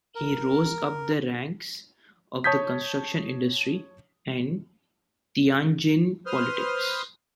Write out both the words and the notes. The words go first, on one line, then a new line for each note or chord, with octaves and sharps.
He rose up the ranks of the construction industry and Tianjin politics.
A#4
C#5 A5 D#6 G6 G#6 B6
B4 C5 C6 D#6 F6